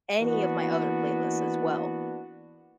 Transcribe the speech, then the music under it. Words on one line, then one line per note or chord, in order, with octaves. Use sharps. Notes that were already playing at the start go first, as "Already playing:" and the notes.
any of my other playlists as well,
E3 A#3 B3 D4 F#4